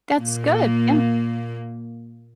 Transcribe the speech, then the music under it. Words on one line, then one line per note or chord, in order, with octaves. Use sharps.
That's good, yeah.
A#2 A#3